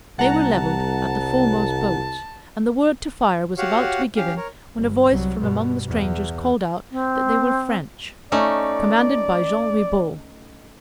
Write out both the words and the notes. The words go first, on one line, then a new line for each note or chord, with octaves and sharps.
They were levelled at the foremost boats, and the word to fire was about to be given, when a voice from among the strangers called out that they were French, commanded by Jean Ribaut.
C2 F#5 A5 A#5
F#4 G4 C#5 F5 F#5
C#4 G4 F5
A#4 C#5
G1
C2 F#3
G2 B2
E2
C4
A3 C#4 D#4 D5